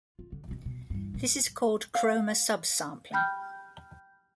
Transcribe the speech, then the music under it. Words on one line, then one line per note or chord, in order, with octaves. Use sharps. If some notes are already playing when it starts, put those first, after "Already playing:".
This is called chroma subsampling.
F4
D3
B2 D#3
B2
E2 G2
A#2
F5
G5 B5 F6 G6